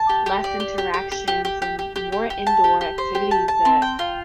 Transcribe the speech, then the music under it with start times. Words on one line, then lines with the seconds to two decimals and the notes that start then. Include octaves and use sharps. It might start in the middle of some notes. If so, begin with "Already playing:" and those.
less interactions and more indoor activities that
Already playing: A5
0.09 G4
0.26 G4
0.44 D5
0.60 G4
0.78 G4
0.94 G4
1.12 G4
1.28 G4
1.45 G4
1.62 G4
1.79 G4
1.96 G4
2.12 G4
2.30 G4
2.47 A5
2.64 G4
2.81 G4
2.98 C5
3.15 G4
3.31 A5
3.48 A5
3.65 C4
3.82 G5
3.99 F4